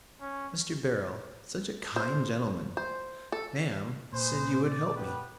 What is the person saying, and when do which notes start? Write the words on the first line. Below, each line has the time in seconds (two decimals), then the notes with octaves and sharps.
"Mr. Beryl--such a kind gentleman, ma'am--said you would help me."
0.21 C#4
1.96 C5
2.77 C5
3.32 A4
4.13 A#2 G#4 B4 C5
4.63 D5
4.94 B3 G4 B4